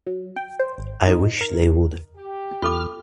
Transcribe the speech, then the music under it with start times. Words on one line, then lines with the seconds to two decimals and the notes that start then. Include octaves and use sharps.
I wish they would.
0.06 F#3
0.36 G5
0.59 C5
0.78 G#1
1.07 D#4
1.41 A#4
2.17 G4
2.62 E2 F4 A4 D6 F6